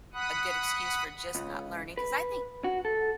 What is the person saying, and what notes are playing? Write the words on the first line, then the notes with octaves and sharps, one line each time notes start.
a good excuse for just not learning. 'Cause I think
F#5 B5 D#6 F#6
C#2
B4
F#4
A4